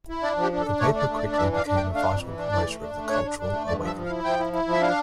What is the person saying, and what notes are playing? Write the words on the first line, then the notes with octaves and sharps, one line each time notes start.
The paper quickly became a vital promoter of the cultural awakening.
E4
D4 D5
F3
G4
D4
A4
D4
A3 C#5
D4 D5
A3
D5
D4
D5
E3 E5
D4 F5
D4
G5
A3
D4 F5
F2
E3
D4
E3 D5
A3
D4
A3
D4 C#5
D4
D4
A3
G2 D5
F3
E5
F3
F5
E4
F3 G5
E4
E4
F3 E5
D4 F5